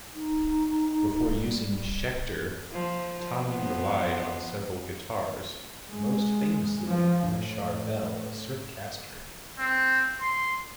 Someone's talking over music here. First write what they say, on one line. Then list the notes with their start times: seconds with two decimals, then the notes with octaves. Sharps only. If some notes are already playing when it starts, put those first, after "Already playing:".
Before using Schecter, Tommy relied on several guitars, most famously a Charvel Surfcaster.
0.14 D#4
1.31 G3
2.73 F3
3.45 F3 B3
5.91 G#3
6.87 F3
7.29 A2
9.59 C4
10.21 C6